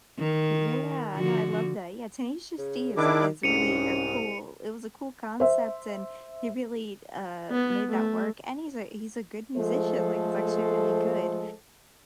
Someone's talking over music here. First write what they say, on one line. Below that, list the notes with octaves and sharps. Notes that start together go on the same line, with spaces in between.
Yeah, no, I love that. Yeah, Tenacious D is a is really a cool it was a cool concept and he really, uh, made that work and he's a he's a good musician, like, it's actually really good.
D#3
D3 F3 F#4
C#3
D#3 D4 E4 D6
C2 G#2 C#4 C#7 D#7 F7
C5 E5
B3
A3
F3 G#3 A3 A4 C5